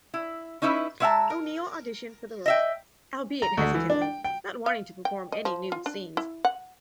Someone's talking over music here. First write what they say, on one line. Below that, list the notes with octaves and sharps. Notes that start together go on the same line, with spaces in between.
O'Neill auditioned for the role, albeit hesitantly, not wanting to perform any nude scenes.
E4
C#4 D#4 E4 B4 E5
G#3 B3 E5 F#5 A5 A#5
A#4
D#5 E5 G5
A#5
D2
E3
D4
G5
G5
F5
G5
D#5
F3
F4
D4
E4
F#5